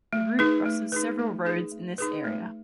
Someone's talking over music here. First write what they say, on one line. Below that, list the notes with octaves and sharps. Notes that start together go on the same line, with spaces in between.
The route crosses several roads in this area.
A3
D#4 G#4 B4
A3
D#4 G#4 B4
A3
D#4 G#4 B4
A3
D#4 G#4 B4
A3